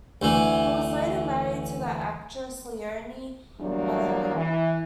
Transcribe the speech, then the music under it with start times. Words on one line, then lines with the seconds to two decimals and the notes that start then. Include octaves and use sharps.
He was later married to the actress Leonie Mellinger.
0.22 D2 E3
3.60 E2 F#3 G3 A#3 D4
4.35 E3